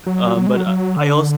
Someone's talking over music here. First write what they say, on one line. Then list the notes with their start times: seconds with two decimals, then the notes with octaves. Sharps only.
um, but, uh, I als
0.06 F#3
0.36 F#3
0.47 G#3
0.57 F#3
0.67 F#3
0.97 D3